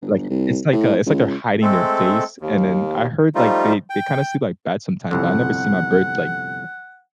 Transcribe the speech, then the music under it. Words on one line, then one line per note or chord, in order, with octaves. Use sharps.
Like it's like a it's like they're hiding their face, and then I heard, like, they they kinda sleep like bats, sometimes, but I never see my bird, like,
G1
C2
A2
C#2
G#3 A3 C4 A4
D#2
F3 G3 A3 D#4 F4
G5
G1 C2 F2 F#5